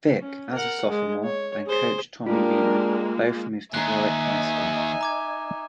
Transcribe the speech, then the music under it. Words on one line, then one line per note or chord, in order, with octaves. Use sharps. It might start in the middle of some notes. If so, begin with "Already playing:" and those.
Vick, as a sophomore, and coach Tommy Reamon both moved to Warwick High School.
C#4
A#4 F#5
G#3
C#5
G#4 C5
G#3 A#3 D4 F4 G4 A#4
D#2 D#4 E5 G#5 A#5 F#6
A#5 D6 G#6